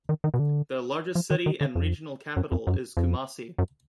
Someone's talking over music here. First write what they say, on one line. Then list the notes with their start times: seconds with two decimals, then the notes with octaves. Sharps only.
The largest city and regional capital is Kumasi.
0.09 D#3
0.24 D#3
0.34 B2
0.39 D3
1.15 F3
1.31 D#3
1.46 D#3
1.61 D3
1.75 F2
2.37 F#2
2.52 F2
2.67 F#2
2.97 F2
3.59 F#2